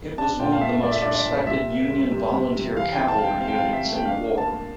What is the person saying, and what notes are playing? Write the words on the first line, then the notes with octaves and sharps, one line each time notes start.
It was one of the most respected Union volunteer cavalry units in the war.
D4 A5
A#2 G5
F5
A3 E5
A3 D5
E5
D4 D5
D5
A#2
C3 E5
A#3
G3
C3
C3
C3
E3 F5
G5
E3
A5
E3 F5
G5
C4 F5
G5
F5
E3
E5
A3
G5
D4 F5
A#3
A5
A#3